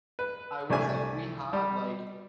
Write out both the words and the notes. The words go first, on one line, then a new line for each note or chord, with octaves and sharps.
I wish, like, we had, like
B4
C2 A3 D4 G4 G#5
G3